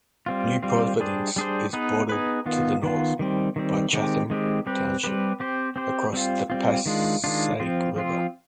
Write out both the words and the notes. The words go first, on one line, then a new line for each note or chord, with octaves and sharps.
New Providence is bordered to the north by Chatham Township, across the Passaic River.
G3 C4 F4
G3 C4 F4
G3 D4 G#4 C5
G3 D4 G#4 C5
B3 D#4 G#4 B4
B3 D#4 G#4 B4
D#3 B3 F4
D#3 B3 F4
D#3 G3 C4
D#3 G3 C4
D#3 G#3 C4 G4
D#3 G#3 C4 G4
G3 C4 G4 B4
G3 C4 G4 B4
C4 G4 C5
C4 G4 C5
G3 C4 F4
G3 C4 F4
D#3 G#3 D4 F4
D#3 G#3 D4 F4
F3 C4 F4
F3 C4 F4